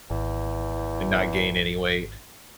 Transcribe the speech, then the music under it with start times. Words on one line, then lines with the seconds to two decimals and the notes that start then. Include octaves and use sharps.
and not gain any weight.
0.10 G#1 E2